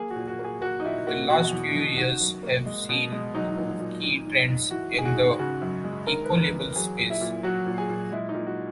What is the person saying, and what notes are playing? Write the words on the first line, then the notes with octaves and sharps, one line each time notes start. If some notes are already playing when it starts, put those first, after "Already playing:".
The last few years have seen two key trends in the ecolabels space.
Already playing: A#3 G#4
F#4
A#2
F#4
A#3
G#4
A#3 F#4
D#4
A#2 E4
A#3 F#4
B2 F#4
E2
E2
D#3 F#4
F#2
A#3
G#3
B2
G#3
F#3 D#4
A#2
A#2
D#3
G#2
G#2
E3 F#4
G#2
G#4
F#4
G#2
C#3 F#4
F#2
G#3
D#3 A#4
B4
E2
B4
E2
B4
F#3 G#4
A#2
E4
A#2
F#3 F#4
A#2
G#4
A#2
G#3 E4
D#4
A#2
F#4